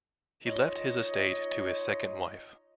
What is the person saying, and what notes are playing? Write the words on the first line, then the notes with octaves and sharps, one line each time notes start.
He left his estate to his second wife.
D#4 F4 C#5 D#5